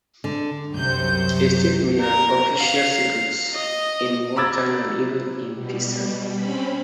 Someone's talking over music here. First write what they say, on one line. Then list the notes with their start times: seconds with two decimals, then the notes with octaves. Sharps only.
A state may have official secrets, in wartime and even in peacetime.
0.24 D3
0.74 C2 F#2 C3 C5 G6
2.00 A#4
2.57 F5
3.54 D#5
4.36 A#5 B5 D6 E6 G#6 A6
5.55 B2 G3
6.34 C4 C#4 B5